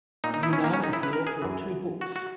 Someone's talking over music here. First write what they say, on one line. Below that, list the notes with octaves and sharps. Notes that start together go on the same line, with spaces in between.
Younan is the author of two books.
A#2 D#4
D#4
E4
C#4
A#3
C#4
D#4
E4
B4
A#4
G#4
F#2 E3
F#4
F#4